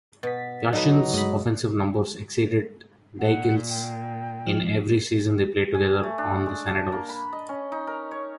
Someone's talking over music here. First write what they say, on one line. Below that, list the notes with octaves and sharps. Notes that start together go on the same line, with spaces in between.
Yashin's offensive numbers exceeded Daigle's in every season they played together on the Senators.
B2 A6 B6
F#3 D#4 A4 B4
G2 G#3 D#5 B5
A#2 F#5
G5
F3
G#5
A3
D4
G#3
A5
A#3
B5
D#5
C#4
D#4
A#4
C#5